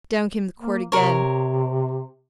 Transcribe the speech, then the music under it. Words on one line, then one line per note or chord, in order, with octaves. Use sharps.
Down came the quirt again.
A#3
C3 A#4 C#5